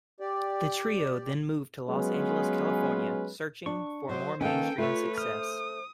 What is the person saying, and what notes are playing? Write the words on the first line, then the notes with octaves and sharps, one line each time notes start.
The trio then moved to Los Angeles, California, searching for more mainstream success.
G4 D5
F#3 G#3 B3 C#4 F4 B4
D4 C#6
F#3 C5 D#5
D#3 A#3 C#4 A4 B4 G5
A3 F4 B4 C#5 E5
C5 D#6 F6